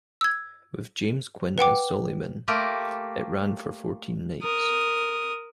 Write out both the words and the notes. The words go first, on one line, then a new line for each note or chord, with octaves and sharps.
With James Quin as Solyman, it ran for fourteen nights.
E6 G#6
B4 F#5 G5 D6
A3 A#3 F4 G4 A4 A#4
A#4 D#6